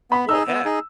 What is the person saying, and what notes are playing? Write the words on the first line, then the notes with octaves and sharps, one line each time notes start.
Well, heck.
B3 B5
D#4 G#4 E6
B3
D#4 G#4